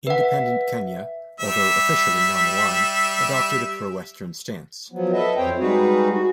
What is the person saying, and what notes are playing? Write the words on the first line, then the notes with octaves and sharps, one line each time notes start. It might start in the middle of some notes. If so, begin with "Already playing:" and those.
Independent Kenya, although officially non-aligned, adopted a pro-Western stance.
B4 E5 F#5
G3 E5
F3 F#3 B3
A4 B4 D#5 E5
F2 C4 C5 C#5 G5
G3 G#3 D#4 F#4 G#4 B4
F#4